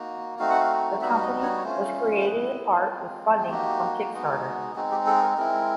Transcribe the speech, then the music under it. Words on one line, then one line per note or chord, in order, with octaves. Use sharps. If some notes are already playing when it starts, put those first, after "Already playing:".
The company was created in part with funding from Kickstarter.
Already playing: A#3 D#4 F#4
A3 C4 D#4 F#4 F5
F#5
F5
G3 B3 D#4 F#4 E5
D#5
C#5
C#5
A3 C#4 F4 C5
C5
B3 E4 B4
G#3 C4 F4
G#4
A#3 D#4 F#4 G4
G#3 B3 D#4 F#4
G#3 C4 D#4 F#4
G4
A4
A#4
G#3 C4 E4 A#4